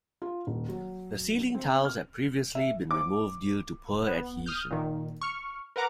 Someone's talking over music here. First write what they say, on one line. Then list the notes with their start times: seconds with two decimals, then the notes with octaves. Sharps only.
The ceiling tiles had previously been removed due to poor adhesion.
0.22 F4
0.47 D#1
0.69 F#3
1.55 C4
1.85 F6
2.55 E5
2.91 D6
4.07 B3
4.46 D#6 F6 G6
4.71 A#2 D#3
5.21 C#6 F6
5.76 A#4 B4 F#5 A#5 D6